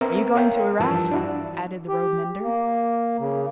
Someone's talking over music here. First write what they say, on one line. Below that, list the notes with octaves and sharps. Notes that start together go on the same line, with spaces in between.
"Are you going to Arras?" added the road-mender.
B3 C4 A#4 E5
A#4 C#5 F5 G5
G2 E3 F3 A5 E6
D4 E4 F#4
G4
A#3
C#3